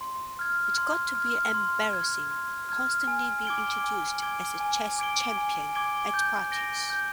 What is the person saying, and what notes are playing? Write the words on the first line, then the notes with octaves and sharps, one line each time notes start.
It got to be embarrassing, constantly being introduced as a chess champion at parties.
C6
F6 G#6
C6
F6 G#6
C6
F6 G#6
C6
F6 G#6
G#5
D6 G#6 D7 G7
G#5
D6 G#6 D7 G7
G#5
D6 G#6 D7 G7
G#5
D6 G#6 D7 G7
G6
A#6 D7 G7
G6